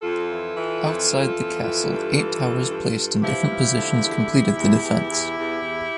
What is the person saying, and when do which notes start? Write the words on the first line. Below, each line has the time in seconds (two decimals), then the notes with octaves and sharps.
Outside the castle eight towers placed in different positions completed the defence.
0.02 F2 F4 A4
0.28 E3
0.56 E3
0.83 F2
1.09 E3
1.36 F2
1.62 E3 F4 A4
1.89 G2
2.16 E3
2.42 G2
2.69 G2
2.96 G2
3.22 F3 E4 G4
3.49 F3
3.75 D3
4.02 E2
4.29 E2
4.56 E2
4.83 E2
5.09 E2
5.37 E2
5.62 E2